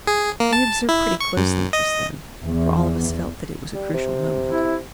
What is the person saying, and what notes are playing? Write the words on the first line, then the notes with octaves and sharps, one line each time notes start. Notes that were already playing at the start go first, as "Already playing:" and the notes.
We observed pretty closely just then, for all of us felt that it was a crucial moment.
G#4
A#3
A5
E4
C#6
F#2
D#5
E2
G3
C3
E4